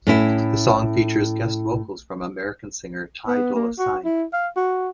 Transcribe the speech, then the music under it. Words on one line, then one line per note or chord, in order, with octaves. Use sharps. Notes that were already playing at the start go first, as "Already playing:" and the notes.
The song features guest vocals from American singer Ty Dolla Sign.
A2 C#4 E4
B3
A#3
F#4
E4
F5
F#4